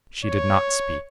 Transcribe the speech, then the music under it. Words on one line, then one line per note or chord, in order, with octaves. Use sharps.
She did not speak.
C#5